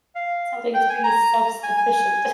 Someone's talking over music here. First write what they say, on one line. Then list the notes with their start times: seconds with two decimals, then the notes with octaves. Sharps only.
Sounds like it's pretty self-sufficient.
0.15 F5
0.74 G5
0.90 G#5
1.04 A#5
1.63 G#5
1.78 G#5